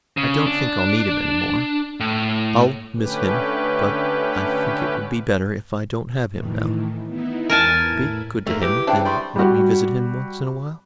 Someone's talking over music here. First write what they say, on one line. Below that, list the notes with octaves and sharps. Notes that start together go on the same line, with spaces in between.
"I don't think I'll need him any more. I'll miss him, but I think it would be better if I don't have him now. Be good to him, and let me visit him once in a while."
C#3
D4
A2
D3 A3 C#4 G4 B4
A2 D#3 E3
B3 D#4 E4
E2 A#4 G#5 A5 G#6
A2 E4
G#2 A3 A#3
E3 G4
C#3 C4 D4 E5 G5
G3 A4 C6 C#6
G3 F#4